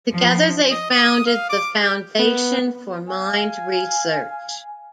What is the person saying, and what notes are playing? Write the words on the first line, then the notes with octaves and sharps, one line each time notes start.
Together they founded The Foundation for Mind Research.
F3
D#5
D#6
F5
D6
G4
B3
F5 G#5